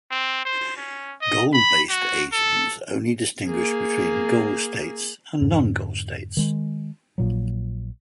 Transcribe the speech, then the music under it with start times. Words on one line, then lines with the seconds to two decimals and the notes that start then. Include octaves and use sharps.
Goal-based agents only distinguish between goal states and non-goal states.
0.10 C4
0.45 C5
0.77 C#4
1.21 D#5
1.53 B5
1.89 F#4
2.32 A4
3.46 A#3 G#4
5.41 F2 G#2 D3
6.37 D#3 G#3
7.18 A#1 A#2 F#3